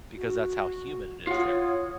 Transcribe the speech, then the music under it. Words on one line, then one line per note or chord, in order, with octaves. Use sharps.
because that's how humid it is there.
F#4
F4 C#5 F#5 D#6